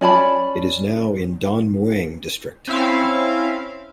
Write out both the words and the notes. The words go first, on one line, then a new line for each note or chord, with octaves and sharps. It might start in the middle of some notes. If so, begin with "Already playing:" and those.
It is now in Don Mueang District.
C#4 D5 A5 B5
C4 C#4 E4 E5 F5